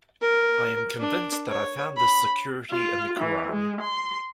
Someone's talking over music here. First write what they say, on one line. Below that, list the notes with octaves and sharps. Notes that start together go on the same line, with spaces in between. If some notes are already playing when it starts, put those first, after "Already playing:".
I am convinced that I found this security in the Qur'an.
A#4
D4
C#5
B5
F4
E3
G#3
C6